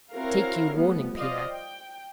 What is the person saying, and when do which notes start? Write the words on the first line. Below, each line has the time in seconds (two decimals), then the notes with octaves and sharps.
Take you warning, Pierre!
0.13 C4 E4 F#4 A#4 C#5 F5
0.76 F3 G3 A3 B3
1.17 C5 D5 D#5 F5
1.52 G5